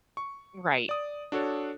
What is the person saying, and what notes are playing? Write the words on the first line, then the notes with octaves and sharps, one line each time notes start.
You're right.
C#6
D5 D#6
D4 F#4 A4 C#5